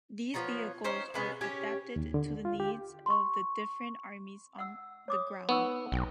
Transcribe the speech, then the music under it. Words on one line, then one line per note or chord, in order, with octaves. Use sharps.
These vehicles are adapted to the needs of the different armies on the ground.
F3 B3 C#5 A#5
C#4 D#4 C5 G5
C3 G#3 B3 C#4
C#4 G4 C#5
D#2
D3
F4
G4
C6 C#6
F#5 E6
C#5 D6 D#6
B3 D#4 C#6 E6
B1 G5